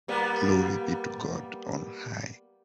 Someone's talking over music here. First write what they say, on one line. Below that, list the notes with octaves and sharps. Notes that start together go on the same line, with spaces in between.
Glory be to God on high.
G3 A#3 B3